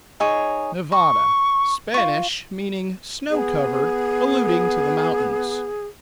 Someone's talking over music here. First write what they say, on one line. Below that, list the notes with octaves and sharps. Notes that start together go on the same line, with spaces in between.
Nevada--Spanish; meaning "snow-covered," alluding to the mountains.
D#4 G#4 C#5
A#5 C#6
F4 C#6
B3 G#4